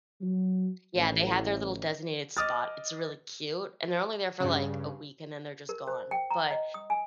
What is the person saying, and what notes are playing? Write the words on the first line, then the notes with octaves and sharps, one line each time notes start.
Yeah, they had their little designated spot, it's really cute, and they're only there for, like, a week and then they're just gone. But,
F#3
A1
D#5 D6 D#6 F6 A6
G2 C#3
A#4
C5
G5
A#5
D#5
D#6
G#5